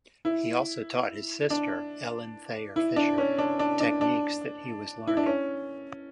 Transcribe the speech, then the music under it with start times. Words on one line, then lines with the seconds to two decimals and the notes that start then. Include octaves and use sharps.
He also taught his sister, Ellen Thayer Fisher, techniques that he was learning.
0.25 E4
1.50 D4
2.76 E4
2.96 D4
3.18 C#4
3.38 D4
3.59 D4
3.80 D4
4.01 D4
5.07 E4
5.17 D4
5.26 C#4